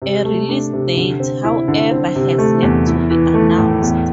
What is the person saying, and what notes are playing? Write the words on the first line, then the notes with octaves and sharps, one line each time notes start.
A release date, however, has yet to be announced.
C3
A3
D4
C3
D3
C4
E4
D3
C4
C3
A3
E2
E4
E3
A3
A2
E2